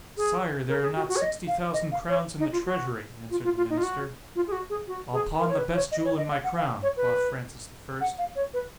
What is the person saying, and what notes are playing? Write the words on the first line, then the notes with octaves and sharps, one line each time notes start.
Sire, there are not sixty thousand crowns in the treasury, answered the minister.--I'll pawn the best jewel in my crown, quoth Francis the First.
G#4
A#4
G#4
F#4
F#4
C#5
D#5
F5
D#5
F5
C#5
D#4
F4
F#4
F4
F4
F4
D#4
F4
F#4
F4
G#4
F#4
G#4
F#4
G#4
A#4
C#5
B4
C#5
D#5
C#5
D#5
F5
F#5
F5
C#5
B4
F#5
F5
C#5
B4